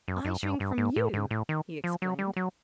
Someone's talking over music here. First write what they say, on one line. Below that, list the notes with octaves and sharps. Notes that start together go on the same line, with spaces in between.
"I shrink from YOU!" he exclaimed.
F#2
F#2
G2
G2
G#2
A2
G#2
A2
D#3
F3
F#3
G3
F#3